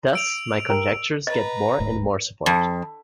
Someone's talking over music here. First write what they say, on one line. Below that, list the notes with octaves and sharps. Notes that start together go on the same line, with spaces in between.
Thus my conjectures get more and more support.
E6 D7 F7
A#4 G5
B4 D#5 A#5
D1 G#2 A3
F2